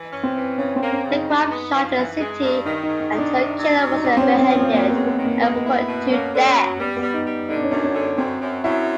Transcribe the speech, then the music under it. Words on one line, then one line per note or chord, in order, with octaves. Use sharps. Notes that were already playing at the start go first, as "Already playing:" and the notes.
The crime shocked the city and her killer was apprehended and put to death.
Already playing: E3
C#4
C4
E3
C#3 C#4
C4
A#3
C#4
C#3
D#4
G#3
B3
F3
E3
G#3
G2
D#3 D#4
D#4
G#2
D#4
D#3
D4
C3
C3
F#3
D#4
F3 D4
C4
C#4
C#3
C4
F3
C4
F#2 A#3
B3
G#3
B3
D#3
A#3
G#3 B3
A#3
B3
E4
B2
A#3 C#4
D3
C#4
F#3
G3 B3
B3
G3
D#4
G3
D3 D#4
D4
C#4
F#2 D4
C#4
D3
F#2 C4
F#2
F#2 E4